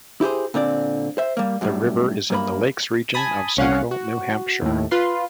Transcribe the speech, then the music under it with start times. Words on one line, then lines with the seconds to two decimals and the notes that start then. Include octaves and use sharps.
The river is in the Lakes Region of central New Hampshire.
0.21 E4 G4 G#4 C5
0.54 A#2 D3 C4 D5
1.18 C5 E5
1.37 G3 A#3
1.61 F#2 A2 G3
2.30 F#2 A#3 B5
3.14 G#5 A5 B5 D#6
3.57 C2 C#4 F5 F#5
3.91 F#4
4.62 D#2 A2
4.91 F4 B4 C6